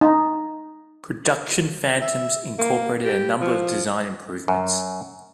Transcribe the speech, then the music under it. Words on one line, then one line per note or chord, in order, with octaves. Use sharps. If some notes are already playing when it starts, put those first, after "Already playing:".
Production Phantoms incorporated a number of design improvements.
D#4
E5
A#3
G4
F3
F#2